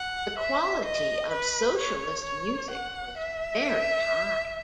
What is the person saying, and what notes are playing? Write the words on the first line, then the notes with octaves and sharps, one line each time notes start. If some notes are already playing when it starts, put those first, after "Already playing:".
The quality of socialist music was very high.
Already playing: F#5
E5
D#5
B4
C#5
C#5
F#5
E5